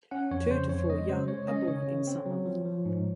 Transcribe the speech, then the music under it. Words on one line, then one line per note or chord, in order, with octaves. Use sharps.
Two to four young are born in summer.
C#4 F#5
F2 C#5
C#3 C5
F2 C#5
G#3 D#5
C#3 C5
G#3 C#5
C#4 D#5
C#3 C#5
C#3
C4
F#3
F3
F3
G#2